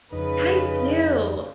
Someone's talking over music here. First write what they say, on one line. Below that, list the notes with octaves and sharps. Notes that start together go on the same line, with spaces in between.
I do.
F2 C#3 D#4 B4